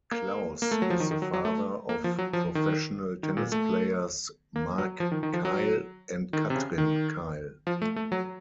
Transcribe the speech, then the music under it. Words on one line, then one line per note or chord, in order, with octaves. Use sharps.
Klaus is the father of professional tennis players Mark Keil and Kathrin Keil.
A#3
A#3
A3
F#3
F3
D#3
D#3
F#3
F#3
A3
A#3
F3
F#3
F3
D#3
D#3
A#2
A3
A#3
F#3
F3
D#3
D#3
F3
F#3
D#3
C3
C#3
D#3
F3
A3
A3
F#3